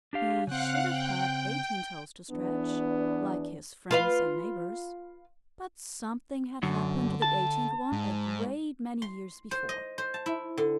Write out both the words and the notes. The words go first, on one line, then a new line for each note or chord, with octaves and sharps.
He should have had eighteen toes to stretch, like his friends and neighbors, but something had happened to the eighteenth one a great many years before.
D4 G4 F5
C#3 C4 F5 F#5 F#6
G5
E2 E3 B3 D4
F4 B4 F5
F#2 D3
A5
G#2
C6
C5
D#5
C5
A5
E4
D3